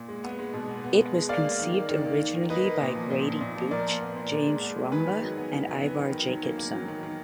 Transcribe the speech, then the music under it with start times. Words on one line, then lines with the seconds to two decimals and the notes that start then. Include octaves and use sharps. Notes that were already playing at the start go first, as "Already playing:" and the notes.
It was conceived originally by Grady Booch, James Rumbaugh, and Ivar Jacobson.
Already playing: A#2
0.08 G#3
0.24 B3
0.39 G#3
0.54 B2
0.69 B3
0.84 B3
0.99 G#3
1.14 G#3
1.29 A#3 D5 F5
1.44 A#3
1.60 D#3
1.74 A#3
1.89 D#3
2.05 A#3
2.20 D#3
2.35 D#3
2.50 A#3 B4 D#5
2.65 A#3
2.80 A#2
2.95 F3
3.10 A#2
3.26 A#2
3.41 A#2
3.56 F3
3.71 A#2 A#4 D5
3.86 A#2
4.01 B3
4.16 A#2
4.31 A#2
4.46 G#3
4.61 B3
4.77 G#3
4.92 D#3 G#4 B4
5.07 D#3
5.22 F#3
5.37 B3
5.52 D#3
5.67 F#3
5.82 B3
5.97 D#3
6.12 D#3
6.28 F#3
6.43 A#3
6.58 A#3
6.73 F#3
6.88 D#3
7.03 D#3